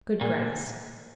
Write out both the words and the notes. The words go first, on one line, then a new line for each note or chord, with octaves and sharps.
Good grass.
A#2